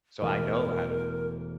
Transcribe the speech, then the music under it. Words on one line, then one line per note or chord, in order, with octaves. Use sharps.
So, I know how to
E1 A3 A#4 D#7